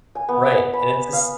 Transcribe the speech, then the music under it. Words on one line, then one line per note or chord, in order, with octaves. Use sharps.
Right, and it's a ci
G#5
B3
B5
F5